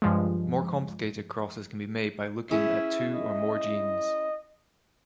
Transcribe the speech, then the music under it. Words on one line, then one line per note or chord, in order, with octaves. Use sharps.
More complicated crosses can be made by looking at two or more genes.
G2 F3 G#3
C#4 E4 G#4 E5
D#5